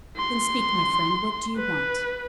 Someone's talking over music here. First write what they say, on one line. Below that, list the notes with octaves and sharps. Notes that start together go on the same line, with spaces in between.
"Then speak, my friend; what do you want?"
C6
B4